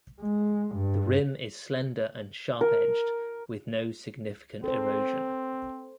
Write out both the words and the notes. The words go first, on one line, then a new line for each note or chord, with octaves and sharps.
The rim is slender and sharp-edged, with no significant erosion.
G#3
G2
A#4
C4 A4 C5